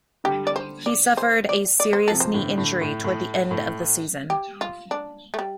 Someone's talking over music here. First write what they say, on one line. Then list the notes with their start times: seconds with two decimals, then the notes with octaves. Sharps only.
He suffered a serious knee injury towards the end of the season.
0.24 D3 G3 G4
0.47 D5
0.56 C5
0.86 D5
1.17 C5
1.49 D5
1.80 D5
1.93 C5
2.08 C3 F3 A4
2.20 C5
2.34 A2 D3
2.57 A2 D3
2.81 A2
3.04 A2
3.51 A2
4.30 G4
4.61 F4
4.91 D4
5.34 A3
5.39 G3